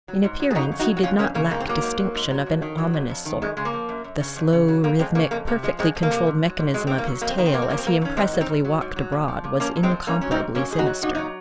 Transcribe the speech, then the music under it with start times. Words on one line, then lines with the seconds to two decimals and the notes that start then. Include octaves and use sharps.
In appearance he did not lack distinction of an ominous sort; the slow, rhythmic, perfectly controlled mechanism of his tail, as he impressively walked abroad, was incomparably sinister.
0.08 F#3
0.24 G#2
0.40 F#3
0.51 G#4
0.55 F2 D#4 F#4
0.72 C#3
0.79 D#4 F#4
0.87 F#3
0.97 F#4
1.03 F2 C#4 F4
1.19 F2 A#3 C#4
1.35 C#3 A#3
1.51 G#2 A#3
1.60 C4
1.67 F#3 A#3
1.82 G#2
1.98 F#3
2.15 G#2
2.31 F#3
2.46 F2
2.62 D#3
2.78 F#3
2.94 F2
3.09 F2
3.25 D#3
3.42 F#2 G#3
3.57 C#3 G#3
3.65 A#3
3.73 F3
3.89 F#2
4.04 F#2
4.20 C#3
4.36 F2
4.53 C#3
4.68 F#3
4.84 F2 A#3
4.99 F2 G#3 C4
5.15 C#3 A#3
5.31 F2 A#3
5.47 C3 A#3
5.63 F3 G#3
5.79 F2 G#3 C4
5.95 F2
6.03 A#3
6.10 C3
6.27 G#2
6.42 F#3
6.58 G#2
6.74 F#3 G#3
6.87 G#2 C4
6.98 A#3
7.07 F#3
7.21 F2 A#3
7.30 C4
7.38 D#3 A#3
7.46 C4
7.53 F#3 A#3
7.62 C4
7.69 F2 A#3
7.78 C4
7.85 F2 A#3
8.01 D#3 C#4
8.17 G#2 G#3 C4
8.33 F#3
8.41 C4 D#4
8.48 G#2
8.64 F#3
8.81 G#2
8.96 F#3
9.12 A#2
9.28 F3
9.44 A#2
9.60 F3 A#3 C#4
9.76 A#2
9.83 G#3 C4
9.91 F3
10.07 G#2 A#3 C#4
10.21 F#3 C#4
10.31 C4 D#4
10.39 G#2
10.55 F#3 A#3 C#4
10.70 G#2 G#4
10.78 D#4 F#4
10.86 F#3
11.02 A#2 D#4 F#4
11.15 F#3 D#4